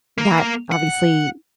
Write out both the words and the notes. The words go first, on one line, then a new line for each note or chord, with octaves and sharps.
that obviously,
A#3 A#4
F#5